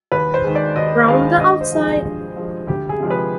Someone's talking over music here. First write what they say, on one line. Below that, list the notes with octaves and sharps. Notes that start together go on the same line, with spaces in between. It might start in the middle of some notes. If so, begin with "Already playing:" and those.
Round the Outside!
D#2 B4
C5
D#3 G#3
D5
D#2 D#5
D#3 G#3 F5
G2 D#5
C5
F3 G#3
G#4
G2
F3 G#3
D2 G4
G#4
C3 F3 G#3
B4